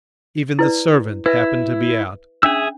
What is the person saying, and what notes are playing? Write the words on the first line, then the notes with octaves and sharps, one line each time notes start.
Even the servant happened to be out.
E4 B4 D5
E4 B4 E5
C#4 D4 G#4 E5 E6